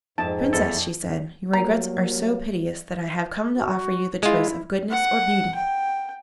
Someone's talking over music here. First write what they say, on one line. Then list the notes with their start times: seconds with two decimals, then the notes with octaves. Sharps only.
'Princess,' she said, 'your regrets are so piteous that I have come to offer you the choice of goodness or beauty.
0.18 F2 G#2 A5
0.53 E2 A4
1.53 F#3 G3 A#3 A#5
3.56 F#4
4.23 G#3 E4 F4
4.91 F#5
5.55 G5